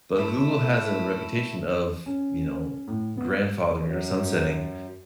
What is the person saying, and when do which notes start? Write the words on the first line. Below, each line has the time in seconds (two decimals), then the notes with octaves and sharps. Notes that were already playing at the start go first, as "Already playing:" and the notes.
but Google has a reputation of, you know, grandfathering or sunsetting,
0.16 A3 E4
2.06 C#4
2.88 A2
3.17 B3
3.80 F#2